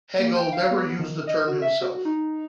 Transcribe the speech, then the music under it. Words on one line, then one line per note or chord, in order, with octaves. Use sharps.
Hegel never used the term himself.
A#3
G5
F5
B3
D#3
D#5
F#4
E5
F#4
D#4